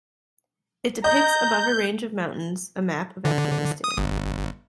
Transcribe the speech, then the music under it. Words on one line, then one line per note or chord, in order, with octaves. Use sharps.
It depicts above a range of mountains a map of Afghanistan.
D#5 A#5 G6
D3
D#6
G1